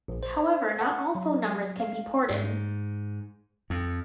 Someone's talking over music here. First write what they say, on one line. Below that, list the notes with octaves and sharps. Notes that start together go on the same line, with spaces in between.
However, not all phone numbers can be ported.
A#1
C5
F#5
F#3
F5
G#2
F2